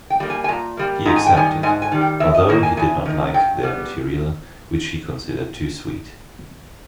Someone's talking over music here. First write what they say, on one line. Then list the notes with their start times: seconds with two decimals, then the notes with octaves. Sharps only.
He accepted, although he did not like their material, which he considered too sweet.
0.10 G5
0.20 G3 A#3
0.30 G#5
0.44 G#5
0.48 A#2 A#5
0.77 G3 A#3
1.06 G#2 A#5
1.16 G#5
1.26 G5
1.34 D#3 G3 G#5
1.63 G#2 G#5
1.82 G#5
1.92 D#3 G3
2.01 G5
2.20 E2 E5
2.34 D#5
2.49 D#3 A#3 C#5
2.63 G#5
2.77 E2 G#5
3.06 D#3 A#3
3.34 G2 G5
3.63 G3 B3